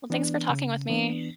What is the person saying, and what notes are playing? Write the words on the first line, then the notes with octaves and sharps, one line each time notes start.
Well, thanks for talking with me.
E3 B3 D4
C#3
E3 B3 D4